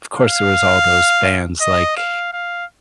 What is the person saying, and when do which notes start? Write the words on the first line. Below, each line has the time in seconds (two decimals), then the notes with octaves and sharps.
of course, there was all those bands like
0.19 F5
1.61 D#5
1.97 F5
2.33 F5